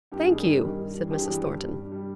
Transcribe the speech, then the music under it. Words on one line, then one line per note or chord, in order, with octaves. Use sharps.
'Thank you,' said Mrs. Thornton.
G2 G4
D#3 G3 G#4
G2
D#3 G3
G2
E3 G3
G2 G4
G#4
E3 G3 G4
G2
G3
G2
G3